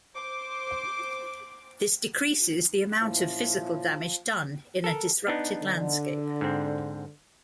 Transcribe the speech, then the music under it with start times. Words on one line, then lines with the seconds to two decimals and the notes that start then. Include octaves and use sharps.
This decreases the amount of physical damage done in a disrupted landscape.
0.14 C5 D6
3.01 A#2 F3 C#4 E4
4.84 A4 A#4
5.27 B3 D4 D#4
5.62 D3
6.41 G#2 C4